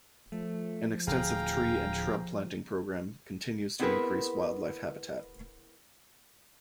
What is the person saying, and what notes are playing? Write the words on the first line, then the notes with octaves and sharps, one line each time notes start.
An extensive tree and shrub planting program continues to increase wildlife habitat.
F3 A3
D1 D2 G#4 F5 G5 A#5
B3 C4 E4 G#4 A#4 B4